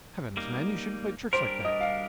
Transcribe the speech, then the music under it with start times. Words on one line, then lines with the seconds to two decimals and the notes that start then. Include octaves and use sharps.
"Heavens, man, you shouldn't play tricks like that!"
0.37 G3 A#3 D#4
1.33 G3 D4 G4 A#4 C5
1.65 D#5
1.81 F5